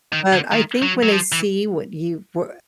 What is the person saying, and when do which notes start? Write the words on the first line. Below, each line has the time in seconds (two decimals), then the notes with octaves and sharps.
But I think when they see what you we
0.13 D#3
0.33 D3
0.52 D#3
0.82 F#3
1.03 F#3
1.12 F3
1.32 E3